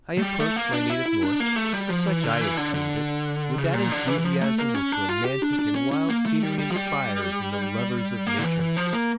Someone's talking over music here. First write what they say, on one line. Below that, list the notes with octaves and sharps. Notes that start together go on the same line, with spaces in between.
I approached my native north, for such I esteemed it, with that enthusiasm which romantic and wild scenery inspires in the lovers of nature.
A3
G3
A3
A#3
D4
E4
E4
D4
A#3
A3
G3
F3
E3
D3
E3
D3
D3
C#3
A#2
D3
E3
E3
F3
A3
A#3
C#4
D4
F4
G4
D4
D4
C#4
C#4
A#3
A3
G3
G3
F3
G3
A#3
D3
E3
E3
F3
A#3